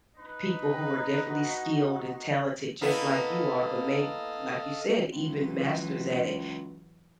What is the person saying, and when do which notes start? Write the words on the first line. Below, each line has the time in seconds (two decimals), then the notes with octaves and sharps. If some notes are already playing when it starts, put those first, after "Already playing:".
people who are definitely skilled and talented just like you are, but may like you said, even masters at it.
0.18 D#4 B4
1.28 F#4
2.81 A#3 B3 E4 A4 D#5 F5
5.12 C#2 E3 F#3